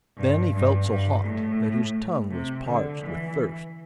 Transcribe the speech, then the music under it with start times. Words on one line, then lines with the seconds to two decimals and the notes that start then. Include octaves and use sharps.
Then he felt so hot that his tongue was parched with thirst.
0.17 G2
0.53 G2
0.88 G2
1.23 A2
2.30 C3
2.66 D3
3.02 E3